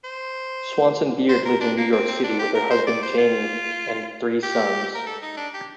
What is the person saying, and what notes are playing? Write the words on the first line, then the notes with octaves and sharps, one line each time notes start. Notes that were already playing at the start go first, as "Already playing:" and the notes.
Swanson Beard lives in New York City with her husband Jaime and three sons.
C5
C5
A#4
D4
A#3
C4
C4
D4
G4
A#4
C5
D5
C5
F4
G4
A#4
A4
D#4
D4
G4